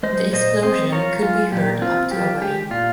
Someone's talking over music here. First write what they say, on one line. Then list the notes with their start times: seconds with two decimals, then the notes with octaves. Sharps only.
The explosion could be heard up to away.
0.03 G#3 C5 D#5
0.33 A#2 C5 D#5
0.63 C4 C5 D#5
0.92 F4 A#4 C#5
1.22 G#3 F4
1.52 A#2 G4
1.82 C4 F4
2.11 F4 G4
2.41 G#3 G4
2.70 A#2 F4